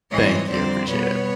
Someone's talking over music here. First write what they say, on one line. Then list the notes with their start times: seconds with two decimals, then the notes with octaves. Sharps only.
Thank you. I appreciate it.
0.11 G#2 E3 G3 C4 C#5 D#5
0.50 F2 D3 G3 C4 C5 D5
0.88 B2 G3 B3 B4 C#5